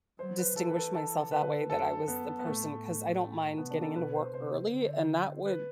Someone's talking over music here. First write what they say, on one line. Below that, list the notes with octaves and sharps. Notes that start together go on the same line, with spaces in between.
distinguish myself that way, that I was the person 'cause I don't mind getting into work early, and that would,
F#3 C5
B4
E3 A4
B4
A4
A4
D3 B4
F#2 A4
F#2 B3
B3
A2 A3
C3 B3
D4
A4
B2 B4
C5
C3 C5
D3
B4